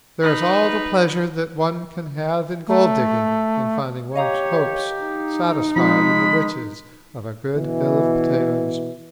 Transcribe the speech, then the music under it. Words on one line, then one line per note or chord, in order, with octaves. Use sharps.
There is all the pleasure that one can have in gold-digging in finding one's hopes satisfied in the riches of a good hill of potatoes.
D#4 B4
A3
G4 C#5 D#5 F5 A#5
D#4
F3 G#3 C4 F4 B5
B2 E3